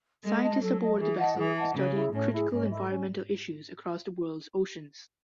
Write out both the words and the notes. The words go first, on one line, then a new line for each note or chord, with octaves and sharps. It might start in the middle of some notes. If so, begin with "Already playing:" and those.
Scientists aboard the vessel study critical environmental issues across the world's oceans.
G#3 A4
D#5 A5
F#3 A4
D#5 A5
E3 G#4
D#5 F#5 A5
E3 G#4
D#5 F#5 A5
C#3 C#4
E4 G#4
A2 C#4
E4 G#4
G#2 C#4
E4 A4 D#5
C#4